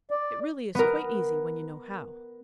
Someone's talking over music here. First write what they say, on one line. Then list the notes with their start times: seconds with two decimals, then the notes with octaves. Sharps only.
It really is quite easy when you know how.
0.11 D5
0.75 B3 A#4